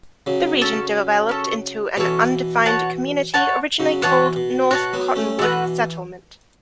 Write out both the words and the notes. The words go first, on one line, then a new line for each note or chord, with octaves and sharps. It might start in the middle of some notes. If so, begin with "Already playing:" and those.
The region developed into an undefined community originally called North Cottonwood Settlement.
C#3 F#3
C#4 A4 C#5
C#4 A4 C#5
B2 E3 C#4 A4 C#5
F#4 C#5 A5
F#4 C#5 A5
C#3 F#3
B2 E3 F#4 C#5 A5
B2
B2 F#4 C#5 A5
F#3 B3
A3 C#4
B2 E3 A3 F#4 B4